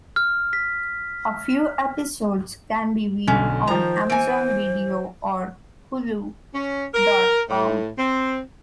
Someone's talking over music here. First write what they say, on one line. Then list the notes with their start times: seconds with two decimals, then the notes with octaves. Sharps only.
A few episodes can be viewed on Amazon Video or hulu dot com.
0.16 F6
0.53 B6
3.27 B1 D3 C#4
3.67 D#3 F3 C5 A#5
4.10 E3 G#5 D7
6.54 C#4
6.94 A#4
7.49 A2
7.98 C4